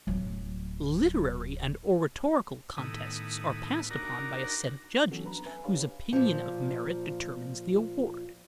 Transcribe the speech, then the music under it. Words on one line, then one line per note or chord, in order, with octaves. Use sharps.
Literary and oratorical contests are passed upon by a set of judges whose opinion of merit determines the award.
D1 F#3
A2 D#3 B3 E4 D#6
D4 D#4 F#4 A#4 A#5
E3 F#3 B3 C#4 F#4 A4
D4 B4 A#5 B5
B4 E5 G#5
D4 G4 B4 C#5 F5 B5
A#2 F3